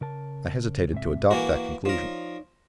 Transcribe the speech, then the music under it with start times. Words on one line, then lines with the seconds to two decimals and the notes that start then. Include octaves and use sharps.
I hesitated to adopt that conclusion.
0.01 C#3 A#4 A5
0.92 G#2 C3 E5
1.31 E3 A#3 F#4 A#4 G#5
1.85 F3 D#4 A#4 C#5 D5